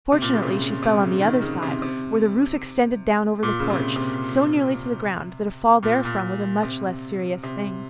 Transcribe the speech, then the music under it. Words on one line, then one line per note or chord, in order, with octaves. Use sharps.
Fortunately she fell on the other side, where the roof extended down over the porch so nearly to the ground that a fall therefrom was a much less serious thing.
C3
A#2
C#3
C3
C#3
C3
C#3
D#3
C#3
C3
C3
A#2
C#3
C3
C3
A#2
A#2
C3
C3